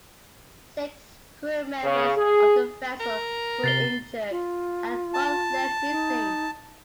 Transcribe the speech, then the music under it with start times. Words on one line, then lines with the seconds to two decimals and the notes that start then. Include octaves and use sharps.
Six crew members of the vessel were injured and one left missing.
1.83 C#3
2.17 G#4
3.00 A#4
3.64 C3 A6 C7 G7
4.31 F4
5.14 A5
5.91 D#4